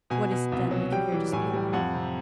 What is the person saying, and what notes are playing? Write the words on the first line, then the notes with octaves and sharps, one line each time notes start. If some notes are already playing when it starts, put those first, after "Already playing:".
What is it then we can here dispute about?
B2 G#5
B2
C2
F#3
G3 G5
E3
A2 G#5
G3
F2 F#5
C3